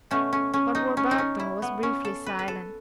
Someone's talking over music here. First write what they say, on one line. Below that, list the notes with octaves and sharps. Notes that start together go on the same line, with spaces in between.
Lord Warburton was briefly silent.
B2 A3 C#4
C#4
C#4
D#4
C#4
D#4
C#4
E4
B3
C#4
A4
B4
B4
A4